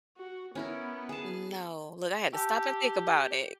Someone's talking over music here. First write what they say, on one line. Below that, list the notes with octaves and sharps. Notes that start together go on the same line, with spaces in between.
No, look, I had to stop and think about it
F#4
B3 C#4 E4 A#4
G#4 A5
G4 G#5 A5 E6